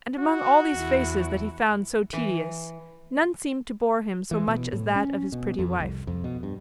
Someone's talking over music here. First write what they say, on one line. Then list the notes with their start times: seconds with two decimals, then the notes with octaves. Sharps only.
And among all these faces that he found so tedious, none seemed to bore him so much as that of his pretty wife.
0.19 F#4
0.74 E2 E4
2.13 E3
4.31 E3
4.48 B2
4.73 A2
4.96 C#4
5.32 B2
5.59 F2
5.80 C2
6.07 F2
6.24 B2
6.43 G2